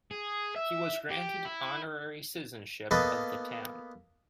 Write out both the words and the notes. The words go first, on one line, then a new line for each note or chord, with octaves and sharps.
He was granted honorary citizenship of the town.
G#4
E5
G4
E4
A#3 B3 A4 B4 D#5